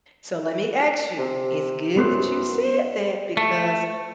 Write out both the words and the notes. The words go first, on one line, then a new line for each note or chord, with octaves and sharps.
So let me ask you. It's good that you said that, because
C3
F#2 B3 B4 C5
A3